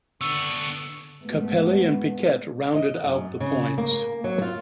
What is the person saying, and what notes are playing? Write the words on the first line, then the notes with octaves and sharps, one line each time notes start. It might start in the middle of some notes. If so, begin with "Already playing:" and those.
Capelli and Piquet rounded out the points.
D3 B3 D4 C#6 E6
G#2 A3 B3
D#5
F#2
C#3
A#3
F#3
F4